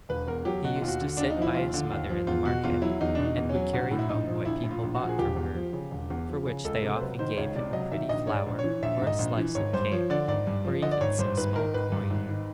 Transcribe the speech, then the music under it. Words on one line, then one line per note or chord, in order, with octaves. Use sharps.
He used to sit by his mother in the market and would carry home what people bought from her, for which they often gave him a pretty flower, or a slice of cake, or even some small coin.
E1 B4
E2 A#4
F#3 G4
B2 F#4
F4
D#2
F#4
D3
D#2 D4
D#4
F3
E4
D#2 F4
D3
D#2
F3
E2 F4
B2 F#4
E2 F4
F#3 E4
E2 D#4
B2 D4
D#4
E2
C#4
F#3
A#1 F#4
A2
E4
A#1 D#4
F3
A#1 E4
A2
F4
A#1
F#4
F3
G#4
E1 G4
E2
F3
C#3
E1
E2
F3
C#3
C#2 A4
C3 A4
C5
F#3 B4
D#3 C5
C#2 C#5
C3 D5
F#3 D#5
D#3 E5
A#1 D#5
G#2 C#5
D5
A#1
C#5
E3
A#1 E5
G#2
D#5
A#1
E3
G#1 C#5
G2 C5
F3 C#5
D3 D5
G#1 D5
G2
F3
D3 D#5
D5
G#1 C#5
G2 C5
G#1 B4
D#3 A#4
G#1 B4
G2
G#1
D#3